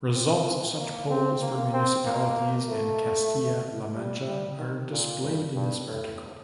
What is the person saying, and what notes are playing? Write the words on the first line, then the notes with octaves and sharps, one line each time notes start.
Results of such polls for municipalities in Castilla–La Mancha are displayed in this article.
C4
A#3
C4
A#3
C4
A#3
A3
G3
G3
D#3
A#2
G2
G2
A2